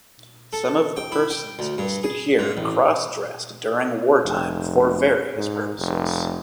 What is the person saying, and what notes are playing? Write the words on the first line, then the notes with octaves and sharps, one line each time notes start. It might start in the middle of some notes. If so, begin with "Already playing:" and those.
Some of the persons listed here cross-dressed during wartime for various purposes.
A4
G5
E4
G5
D2
G2
G#4
G#2
A1
F1
G#2
F1